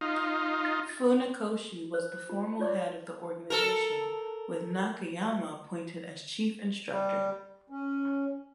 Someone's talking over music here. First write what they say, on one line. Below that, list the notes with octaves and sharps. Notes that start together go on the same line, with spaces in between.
Funakoshi was the formal head of the organization, with Nakayama appointed as Chief Instructor.
D#4 F4
C5
F4
F4 C#5 D5 D6
A4 A#4
G3
C#4